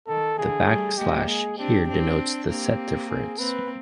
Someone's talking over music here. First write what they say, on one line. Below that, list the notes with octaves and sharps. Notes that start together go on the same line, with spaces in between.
The backslash here denotes the set difference.
D#3 A4
D3 E3 G#4
G3 A3
G#3 A#3 G4
G#4
C4 D4 G4
C4 D4
A#3 C4 G4
G#4
A#3 C4 B4